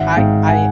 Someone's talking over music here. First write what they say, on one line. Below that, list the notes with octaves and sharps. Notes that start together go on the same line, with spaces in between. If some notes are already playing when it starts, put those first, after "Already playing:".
I I
Already playing: G#1 E5 F#5
G#2 F5 G5
F#5 G#5